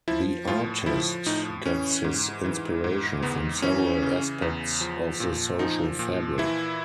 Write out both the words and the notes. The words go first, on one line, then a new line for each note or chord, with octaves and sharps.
The artist gets his inspiration from several aspects of the social fabric.
F3 E4
A2 F4
F3 E4
A2 D#4
E3 C#4
G#2
E3
G#2
E2 B3
E3 C#4
C#3
E2
F3
A#2
F3 D#4
A#2
E3 E4